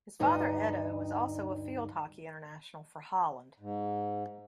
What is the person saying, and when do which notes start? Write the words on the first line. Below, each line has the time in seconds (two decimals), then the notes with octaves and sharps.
His father Edo was also a field hockey international for Holland.
0.19 D2 G2 D#4
3.60 G#2